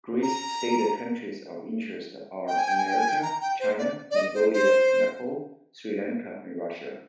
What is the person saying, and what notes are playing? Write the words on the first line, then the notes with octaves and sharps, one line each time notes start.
Gray's stated countries of interest are America, China, Mongolia, Nepal, Sri Lanka and Russia.
A#5
G5
G#5
G5
G#5
G5
G#5
G5
A#5
G5
C5
D5
D5
D#5
C5
C5